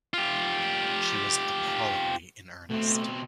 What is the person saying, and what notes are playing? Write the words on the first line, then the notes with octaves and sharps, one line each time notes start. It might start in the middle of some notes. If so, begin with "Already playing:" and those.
She was appallingly in earnest.
F4 G4
B2 A3 C4